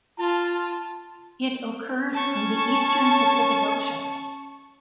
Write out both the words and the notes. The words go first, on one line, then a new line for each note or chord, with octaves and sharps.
It occurs in the eastern Pacific Ocean.
F4 A5
C#4 A5 C#6